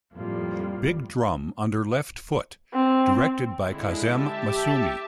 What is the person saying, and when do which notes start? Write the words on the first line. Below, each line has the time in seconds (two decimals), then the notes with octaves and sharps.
"Big Drum Under Left Foot" directed by Kazem Masoumi.
0.14 F2 A2 G3 A#3 F4
2.74 C4
3.63 D3 G#3 E4
4.00 G4 E5 A5